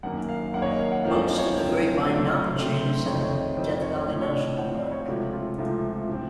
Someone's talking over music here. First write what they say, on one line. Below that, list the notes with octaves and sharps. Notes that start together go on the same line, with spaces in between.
Most of the Grapevine Mountain chain is in Death Valley National Park.
F#2 D#3 A#3 F#5
F5
F#2 D#3 A#3 F#5
C#5
D#5
F5
F#5
F#2 F3 A3 C4 F5
D#5
C#5
F#2 F3 A3 C4
A2 F#3 A3 C4
A2 F#3 A3 C4 C5
C5
F2 D#3 A3 C4 C#5
D#5
C#5
D#5
F2 D#3 A3 C4 D#5
C#5
A2 F3 C4 D#5
C#5
D#5
A2 F3 C4 F#5
F5
C#5
C#2 C3 F3 A3 F#4
F4
C#2 C3 F3 A3
A2 F3 C4